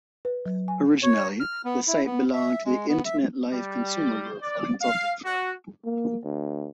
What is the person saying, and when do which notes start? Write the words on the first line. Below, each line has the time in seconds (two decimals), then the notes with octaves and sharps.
Originally, the site belonged to Internet Life Consumer Group, a consulting firm.
0.25 B4
0.46 F#3
0.68 G#5
1.03 C#5
1.40 F6
1.65 B3
1.88 E4
2.06 B3
2.33 E5
2.65 G#3
2.88 B3
3.05 E5
3.53 G3
4.41 D5
4.82 F5
5.25 F#4
5.85 A#3
6.25 D2